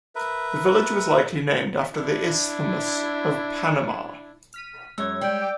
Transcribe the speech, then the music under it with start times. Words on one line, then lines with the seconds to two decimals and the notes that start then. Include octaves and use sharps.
The village was likely named after the Isthmus of Panama.
0.15 A#4 B4 E5
1.93 D4 E4
4.54 F6 B6 D#7
4.98 F#2 G#3 C#5 E6 G#6
5.21 G3 G5
5.42 D6